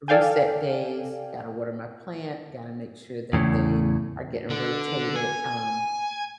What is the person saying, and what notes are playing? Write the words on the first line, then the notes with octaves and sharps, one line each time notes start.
reset days, gotta water my plant, gotta make sure that they are getting rotated, um,
A4 D5 F5 G5 G#5
E2 A2 C#3
D3
G#5